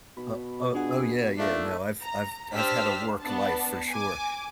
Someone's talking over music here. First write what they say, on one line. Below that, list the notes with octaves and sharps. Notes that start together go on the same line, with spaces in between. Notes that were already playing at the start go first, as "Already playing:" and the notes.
o o oh, yeah yeah no I've I've I've had a work life for sure.
B2 B5
D4 F4 G#4 F#5
A#2 A3 D4 D#4 F5
A#5
D4 G4 C5 E6 F6 B6
B3 D4 A5
G#5 D6